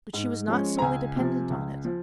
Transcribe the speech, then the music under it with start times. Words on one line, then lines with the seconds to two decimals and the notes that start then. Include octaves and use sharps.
But she was not solely dependent on it.
0.13 G#2
0.48 F3 G#3 C#4
0.79 A#5
0.82 C#2 G#5
1.16 C3 F3
1.50 C#2
1.85 F3